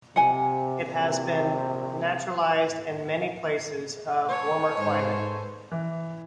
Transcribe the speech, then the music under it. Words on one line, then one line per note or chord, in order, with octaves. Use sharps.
It has been naturalized in many places of warmer climate.
C3 F#5 G#5
A#1 C3
A4 B4 C#5 G#5
G#2 C5
E3